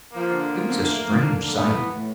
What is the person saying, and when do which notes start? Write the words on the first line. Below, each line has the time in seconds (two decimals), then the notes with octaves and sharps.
It was a strange sight.
0.14 F3 A#3
0.32 D3
0.49 F3
0.66 D3
0.84 A3
1.01 F3
1.19 D3
1.36 D3
1.54 A3 B3
1.72 E3
1.89 A2